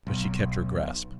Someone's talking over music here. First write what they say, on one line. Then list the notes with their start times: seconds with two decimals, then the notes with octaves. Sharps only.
But she kept her grasp.
0.07 B1